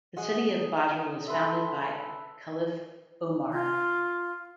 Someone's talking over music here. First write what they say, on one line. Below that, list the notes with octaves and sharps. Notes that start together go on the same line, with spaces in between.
The city of Basra was founded by caliph Omar.
G#4 D#5 F#5 G#5
A4 B4 C5 E5
F4